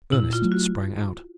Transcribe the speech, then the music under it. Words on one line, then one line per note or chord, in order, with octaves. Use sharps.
Ernest sprang out.
A#2 E4
F4
F#3 A3
F#4